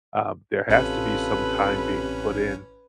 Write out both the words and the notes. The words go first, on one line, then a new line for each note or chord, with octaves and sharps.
Uh, there has to be some time being put in,
A1 C3 C#4 F4 A4 B4